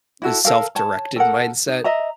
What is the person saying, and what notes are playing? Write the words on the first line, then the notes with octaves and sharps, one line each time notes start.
the self-directed mindset,
E4 F#4 A4
A4 A#4 F5
C#5 A5
A4 A#4 F#5
D#4
D#5 E5 A#5